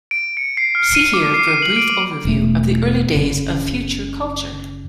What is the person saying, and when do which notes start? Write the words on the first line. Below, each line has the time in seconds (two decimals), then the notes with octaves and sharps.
See here for a brief overview of the early days of Future Culture.
0.11 D7
0.37 C#7
0.57 C7
0.75 F6
0.95 D#7
1.14 D6
1.34 C7
1.48 D#7
1.62 F#7
1.77 D7
2.25 E1 A3
3.15 F#1 C#3